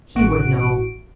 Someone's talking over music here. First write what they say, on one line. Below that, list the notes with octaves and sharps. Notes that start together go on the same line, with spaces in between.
He would know.
A1 F#4 D7